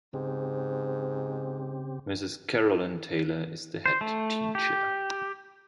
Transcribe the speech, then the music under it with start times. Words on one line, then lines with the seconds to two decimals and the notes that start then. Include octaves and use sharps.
Mrs Carolyn Taylor is the Headteacher.
0.14 G#2 C#3 C4 G4
3.86 C5
4.01 A3
4.55 G4